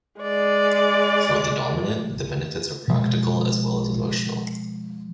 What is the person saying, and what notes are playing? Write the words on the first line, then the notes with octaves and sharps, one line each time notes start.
For the dominant, the benefits are practical as well as emotional.
G#3 D5
B2 F3 G#3